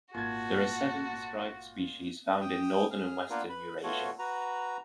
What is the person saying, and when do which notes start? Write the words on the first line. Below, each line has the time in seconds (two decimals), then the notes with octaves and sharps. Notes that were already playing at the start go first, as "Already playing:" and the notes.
There are seven described species found in northern and western Eurasia.
0.14 G#1 A#2 F#4 A5 G#6
2.41 G5 D#6
2.91 G#4 F6
3.30 A#3 B3 D4 F4 A#4 B4
3.49 B4 B5
3.83 A3 B3 F4 F#4 A4 C#5
4.19 F#4 B4 A#5